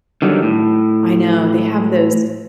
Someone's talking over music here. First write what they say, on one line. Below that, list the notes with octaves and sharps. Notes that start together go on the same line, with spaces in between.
I know, they have those
D3 D#3 F#3 G3
A2